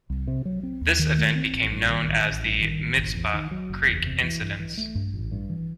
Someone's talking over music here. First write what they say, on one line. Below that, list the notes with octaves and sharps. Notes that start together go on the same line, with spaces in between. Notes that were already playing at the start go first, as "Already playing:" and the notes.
This event became known as the Mizpah Creek incidents.
C2
C3
F#3
C4
D#2
D#3
A3
C4
A1
G2
D#3
A1
A1
G2
D#3
A1
F#1
E2
D#3
F#3
F#1
E2
C3
E3
G2
E3
A3
G2
A1
G2
E3